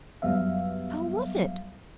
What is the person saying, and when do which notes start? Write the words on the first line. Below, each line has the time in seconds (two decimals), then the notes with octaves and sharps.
How was it?
0.22 F#2 F#3 G3 B3 E5 F5